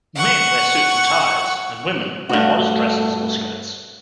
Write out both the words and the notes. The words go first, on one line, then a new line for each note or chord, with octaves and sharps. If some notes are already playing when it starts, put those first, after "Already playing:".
Men wear suits and ties, and women wear modest dresses or skirts.
F#5 C#6
G2 A3 F#4